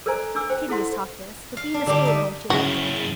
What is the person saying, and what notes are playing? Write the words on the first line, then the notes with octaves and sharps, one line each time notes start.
Tedious talk this, but being a stay-at-home she liked it.
A4 A#4 C5 D5 G#5 A#5
D4 G#5 D6 E6
C5 G5
E4 A4 F#5 C6
F5
D4
D3 G3 A#3 D4 G4
D#4 E5
F#2 C#3 E4 F#4